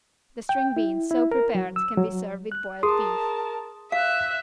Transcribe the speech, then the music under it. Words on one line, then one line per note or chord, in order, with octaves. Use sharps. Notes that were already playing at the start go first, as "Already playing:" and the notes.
The string beans so prepared can be served with boiled beef.
G5
E4
E4
A#4
F#3
E6
F#3
F#6
G#4 A#4 A5 C6 D#6
E5 F5 F#6